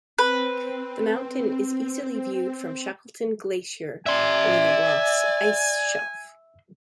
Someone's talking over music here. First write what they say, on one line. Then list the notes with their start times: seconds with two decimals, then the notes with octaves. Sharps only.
The mountain is easily viewed from Shackleton Glacier or the Ross Ice Shelf.
0.19 C4 B4
4.06 D5 E5 G#5 C6